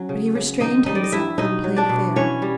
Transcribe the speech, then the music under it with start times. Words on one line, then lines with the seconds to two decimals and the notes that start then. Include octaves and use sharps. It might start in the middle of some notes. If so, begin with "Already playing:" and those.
But he restrained himself and played fair.
Already playing: F#3 C#4
0.09 C#3
0.35 C#3
0.61 D#3 D#4 D#5
0.86 G3 D#4 D#5
0.95 D5
1.04 D#5
1.12 G2 E4 E5
1.38 B2 D#4 D#5
1.64 F#3
1.76 D4 D5
1.89 B2
2.16 E3 C#4 C#5
2.42 G3